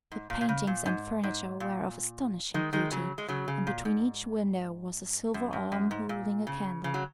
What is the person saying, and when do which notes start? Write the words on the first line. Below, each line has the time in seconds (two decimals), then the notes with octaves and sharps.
The paintings and furniture were of astonishing beauty, and between each window was a silver arm holding a candle.
0.12 G#2
0.30 A#2
0.41 A#2
0.49 C#3
0.67 A#2
0.86 G#2
1.23 G#2
1.60 A#2
2.54 D#3 G#3
2.73 D#3 G#3
2.91 C#3 F#3
3.18 G#3
3.28 C#3 F#3
3.48 C#3
3.67 A#2
3.85 G#2
5.34 F#2
5.53 F#2
5.72 F#2
5.91 G#2
6.09 A#2
6.47 C#3
6.84 C#3
6.94 F#3